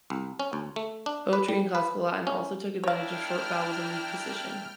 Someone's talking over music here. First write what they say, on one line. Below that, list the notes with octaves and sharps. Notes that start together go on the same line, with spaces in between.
Poetry in Classical Latin also took advantage of short vowels in weak position.
C2
C#4
D2
A3
D4
B4
G3
B4
C#4
D4 E4 A#4 C#5 F5 G5 F6